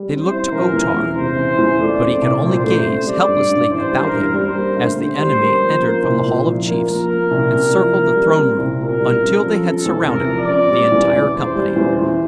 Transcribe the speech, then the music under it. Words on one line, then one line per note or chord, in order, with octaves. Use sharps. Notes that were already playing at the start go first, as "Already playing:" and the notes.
They looked to O-Tar; but he could only gaze helplessly about him as the enemy entered from The Hall of Chiefs and circled the throne room until they had surrounded the entire company.
Already playing: G3
C4
C5
E4
E3 A#4
E2
E2
C3 C5
E3
E2
A3 D5
C4
C2
A#2 C5
A3
C4
G3 D5
G2
G2
E3 C5
G3
A#4
G2
G3 C5
A#3
D2
D3 C5
G3
A#3
F3
A#3
C2
A#2
F3
A#3
F3 A#4
A#3
C2
C3
F3
A#3
G3
C4
C2
A#2 A#4
G3
C4
F3 A4
C4
A4
E2
C3 A#4
F3
D5
C4
G3
E2
E2
E3 C5
G3
E2
E3